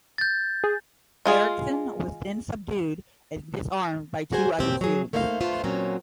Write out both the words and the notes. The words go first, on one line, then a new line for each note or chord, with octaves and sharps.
Erickson was then subdued and disarmed by two other students.
G6 A6
G#4
G#3 F4 G#4
F#4 G#4 C5 G#5
B2 A#3 C4 C#4 G4
F#3 G#4
A3 A#3 D#4 C5 C#5 F5
D3 A3 B3 F4 C5
D#2 A#2 F#3 C4 C#4 A#5